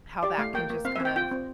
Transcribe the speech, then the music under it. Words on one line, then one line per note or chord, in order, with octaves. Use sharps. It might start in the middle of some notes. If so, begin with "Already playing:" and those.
how that can just kind of
G4 D5
A3 F5
A#3 G5
A#3
C4 F5
E5
C4 G5
F4 G5
C4